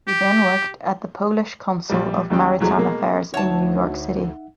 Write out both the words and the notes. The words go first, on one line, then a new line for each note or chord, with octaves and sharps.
He then worked at the Polish consul of maritime affairs in New York City.
G4
A#1 G3
D#2 G3 C#4 G5
E2 F#3 G#3
B2 G#3 A#3
D2 D#4 C#5 E5 F#5 A5